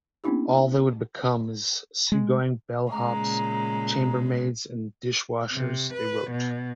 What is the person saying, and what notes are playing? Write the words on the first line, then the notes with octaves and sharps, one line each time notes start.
All they would become is seagoing bell hops, chambermaids and dishwashers, they wrote.
A#3 B3 C#4 D4 E4 G4
G#3
A#2 C#3 G#3 A#5
C3
B4
B2